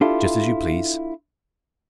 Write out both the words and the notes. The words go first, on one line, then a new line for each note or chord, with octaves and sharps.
"Just as you please."
D4 E4 F4 G4 A4